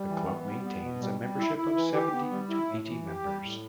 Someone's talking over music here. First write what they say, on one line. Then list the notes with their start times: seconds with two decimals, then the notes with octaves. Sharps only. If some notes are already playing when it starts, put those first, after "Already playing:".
The club maintains a membership of seventy to eighty members.
Already playing: G3
0.09 E3
0.27 B3
0.46 G3
0.65 B3
0.83 B2
1.01 G3
1.20 G3
1.38 E4
1.57 E4
1.76 E3
1.94 G4
2.13 B3
2.31 G3
2.50 E4
2.69 A2
2.88 E3
3.06 G4
3.24 G3
3.43 A2